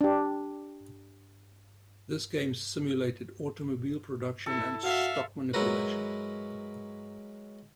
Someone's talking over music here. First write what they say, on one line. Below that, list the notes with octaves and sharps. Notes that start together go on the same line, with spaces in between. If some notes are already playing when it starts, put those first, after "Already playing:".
This game simulated automobile production and stock manipulation.
D4 G4
E4 A4
F#4 E5 F5
F#3 G#3 E4 F#4 A#4 B4